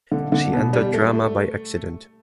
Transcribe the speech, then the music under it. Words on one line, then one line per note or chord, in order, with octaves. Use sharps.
She entered drama by accident.
D3
D3
B2
G3
A3